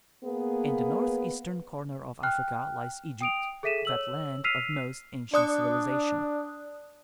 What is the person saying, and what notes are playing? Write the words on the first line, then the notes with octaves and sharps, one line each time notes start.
In the northeastern corner of Africa lies Egypt, that land of most ancient civilization.
A#3 B3 G#4 B4
G5 F6 F#6
G5 D#6 D7 F7
G#4 A4 E5 B6 D#7 E7
C#5 E6 F#7
E6 F6 B6 C7 D#7 F7
D4 D5 D#6 F#6